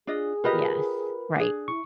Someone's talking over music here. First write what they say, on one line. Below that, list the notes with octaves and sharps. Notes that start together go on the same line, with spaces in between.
Yes. Right.
D4 F4 G#4 D#5
F4 G4 A#4 B4 D#5 B5
D4 G#4
E4 C#6